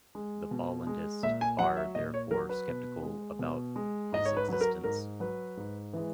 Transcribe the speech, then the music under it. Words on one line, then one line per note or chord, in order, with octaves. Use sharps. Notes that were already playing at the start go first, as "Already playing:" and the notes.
The Bollandists are therefore skeptical about his existence.
G#3
B2
G#3
A#2 E5
G#5
F#3 F#5
E5
A#2 D#5
C#5
F#3 A#4
B4
B2
G#3
B2
G#3
G#2 D#5
C#5
B4
F#3 B4
A#4
G#2 A#4
F#3 B4
G#2
E3 G#3